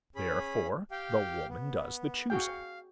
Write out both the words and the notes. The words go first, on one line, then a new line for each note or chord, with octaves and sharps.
Therefore the woman does the choosing.
C#4 G#4 B5
G4 F5 G5
B3
F#4 G#4 F5 G5